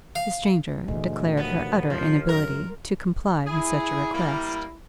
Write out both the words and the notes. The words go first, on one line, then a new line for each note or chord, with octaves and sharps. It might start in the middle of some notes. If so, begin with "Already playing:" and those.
The stranger declared her utter inability to comply with such a request.
F5
D2 A#2 E3 G#3
D#2 B3
F2 F3
F#2 A#4
E4 G#4
G3 A#3